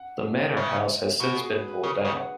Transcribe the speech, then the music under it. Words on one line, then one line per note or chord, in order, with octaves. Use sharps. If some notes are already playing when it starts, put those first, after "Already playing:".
The manor house has since been pulled down.
Already playing: F#5
C#3 E5
B2 F#4
G#4
B4
B4
C#3 G#4
B4
C#3
F#5